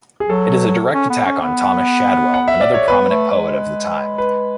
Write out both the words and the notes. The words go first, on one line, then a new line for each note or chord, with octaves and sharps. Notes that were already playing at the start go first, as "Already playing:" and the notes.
It is a direct attack on Thomas Shadwell, another prominent poet of the time.
G#4
F#3 A4
C#4
B3
C#4
B3
F#5
E5
D5
C#5
B3 B4
A3
G#3
B4